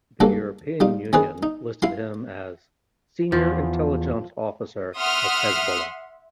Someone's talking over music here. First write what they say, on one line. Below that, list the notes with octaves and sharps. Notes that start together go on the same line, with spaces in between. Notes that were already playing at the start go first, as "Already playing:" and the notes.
The European Union listed him as "Senior Intelligence Officer of Hezbollah".
C#2 G2 A#3 D4 A4
G3 D#4 F4
D#3 C4 C#4 G#4 B4
D#4
E4 F4 C6
E2 F3
E5 F#5 C6 D#6 F6